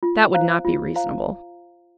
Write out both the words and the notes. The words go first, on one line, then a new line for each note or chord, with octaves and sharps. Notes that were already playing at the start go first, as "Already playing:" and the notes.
That would not be reasonable.
F4
C5 F5 A#5
F4
C5 F5 A#5